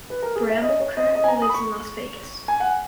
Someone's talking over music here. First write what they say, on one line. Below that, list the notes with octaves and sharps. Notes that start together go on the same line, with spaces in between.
Bramble currently lives in Las Vegas.
B4
A#4
G#4
E5
D#5
C#5
D#5
D#5
G#5
A#5
D#6
B5
C#6
G#5
F#5